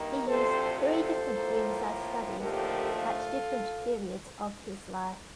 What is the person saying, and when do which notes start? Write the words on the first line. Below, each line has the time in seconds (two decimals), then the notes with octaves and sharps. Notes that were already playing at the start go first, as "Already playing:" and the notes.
He used three different rooms as studies at different periods of his life.
Already playing: G2 D#3 A#3
0.27 D2 C3 F3 C4 A4 C5
0.80 A4 C5
1.33 A2 F3 A#3
2.39 D#2 D3 F3 A3 G4 A#4
2.93 F4 A4